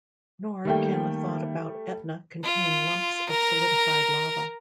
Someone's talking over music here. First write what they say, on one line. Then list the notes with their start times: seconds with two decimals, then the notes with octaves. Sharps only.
Nor can a thought about Etna contain lumps of solidified lava.
0.65 D#3 G3 A3 A#3 G5
2.44 F4
3.30 A#4 A#5